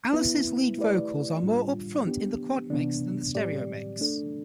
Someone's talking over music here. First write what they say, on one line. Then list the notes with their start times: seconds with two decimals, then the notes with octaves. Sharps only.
Alice's lead vocals are more upfront in the quad mix than the stereo mix.
0.13 B3 E4 B4
0.77 A3 E4 G4 B4 D5
1.42 A2 G3 D4 F4
2.06 B3 D4 G4
2.70 C3 E3 B3 D4
3.35 A2 G3 C4 G4 D5
3.99 A3 D4 A4